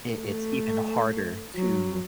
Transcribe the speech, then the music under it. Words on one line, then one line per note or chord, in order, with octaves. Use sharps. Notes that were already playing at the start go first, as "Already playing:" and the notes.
it it's even harder to,
A3
F#3